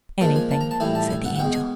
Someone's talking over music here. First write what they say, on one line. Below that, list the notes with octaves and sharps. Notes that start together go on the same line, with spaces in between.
"Anything," said the Angel.
A#2 F3 G#3 A5
G#5
A5
A#5
A5
A2 E3 G3 G#5
A5
G#5
F#5
F#5
B2 G#3 G5
G#5